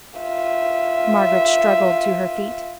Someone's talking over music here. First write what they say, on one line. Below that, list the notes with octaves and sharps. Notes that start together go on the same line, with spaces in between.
Margaret struggled to her feet.
F4 E5